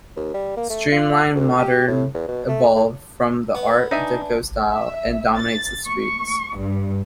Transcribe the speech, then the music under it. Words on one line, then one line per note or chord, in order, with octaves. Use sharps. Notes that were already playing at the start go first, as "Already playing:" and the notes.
Streamline Moderne evolved from the Art Deco style, and dominates the street.
D#2
G3
A#3
A3
F4
D2
G4
A2
E2
B2
A3
A2
B3
D4 D#4 E5 G#5
E5
A6
C#6
G2